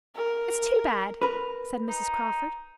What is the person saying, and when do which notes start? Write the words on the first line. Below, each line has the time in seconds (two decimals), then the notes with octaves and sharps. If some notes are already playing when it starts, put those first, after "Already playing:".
"It's too bad," said Mrs. Crawford.
0.16 A#4
1.22 A#4 B4
1.89 D#4